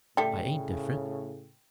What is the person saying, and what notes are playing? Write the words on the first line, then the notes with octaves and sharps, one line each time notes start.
I ain't different.
A2 C#3 G3 A3 G4 G5